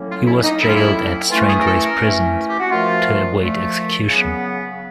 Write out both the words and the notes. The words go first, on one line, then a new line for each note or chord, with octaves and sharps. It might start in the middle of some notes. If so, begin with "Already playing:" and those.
He was jailed at Strangeways Prison to await execution.
Already playing: A2 F#3 A#3 C#4
F4
E4
D#4
A2 F#3 A#3 C#4 E4
F4
E4
E3 A3 C#4 F4
G#4
A#4
A4
A#4
E3 A3 C#4
G4
F#4
A#2 F3 A3 F4
A#2 F3 A3
C#3 F#3 B3